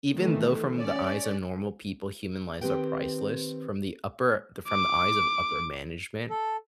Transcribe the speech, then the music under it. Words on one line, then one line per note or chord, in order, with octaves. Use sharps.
Even though from the eyes of normal people, human lives are priceless from the upper from the eyes of upper management,
D#3 E3 A3
C#4 D5
D#3 C4 G4 B4 G5
D6
A4